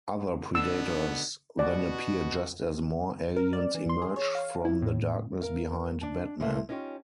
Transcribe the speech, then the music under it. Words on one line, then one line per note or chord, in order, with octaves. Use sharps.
Other Predators then appear just as more Aliens emerge from the darkness behind Batman.
B2 D3 B3 E6
B2 F#4 D5
A#4
D5
E3
C6
G#4
C#5
F5
E4
A2
A#4 F5
D4 A5
A#2 E3 G#3 A3 F4
C#4 D#4 F4 G4 C#5